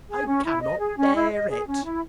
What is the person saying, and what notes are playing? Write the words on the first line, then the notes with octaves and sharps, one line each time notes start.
"I cannot bear it!"
G#4
C#4
E4
D#5
G#4
C#4
E4
D#5
G#4
C#4
E4